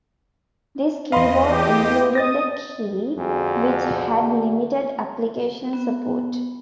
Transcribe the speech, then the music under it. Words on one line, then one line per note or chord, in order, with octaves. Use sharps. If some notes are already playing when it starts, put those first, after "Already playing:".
This keyboard included a key which had limited application support.
E2 D#5 F5 B5 C6
G4
D#5 D#6 A6 A#6
F2 D3 F#4 G#4 G#5
B3